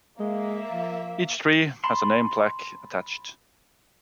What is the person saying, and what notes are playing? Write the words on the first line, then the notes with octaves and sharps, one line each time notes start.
Each tree has a name plaque attached.
G#3 A#3 E5
F3
A5 B5 C6